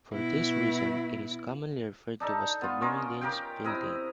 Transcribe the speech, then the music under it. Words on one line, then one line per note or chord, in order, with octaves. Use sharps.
For this reason, it is commonly referred to as the "Bloomingdale's Building".
B2 E4
D4 D#4 A4
B3 F4
C#4 F4 A#4 D#5
G4 A#4 F5 G5
C3 E4 D#5 A#5